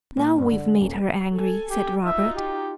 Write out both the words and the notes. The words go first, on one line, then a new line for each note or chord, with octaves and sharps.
"Now we've made her angry," said Robert.
A#2
G2
D3
D#1
A4 G#5
G4
D#4 F4 F#4 E5
G4